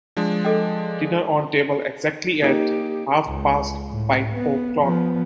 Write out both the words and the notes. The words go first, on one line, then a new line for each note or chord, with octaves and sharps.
Dinner on table exactly at half past five o'clock.
F3 G#3 D4
A4 D#5 G5
A#3 D#4 G4 D7
C#2
A2
B3
F3 B3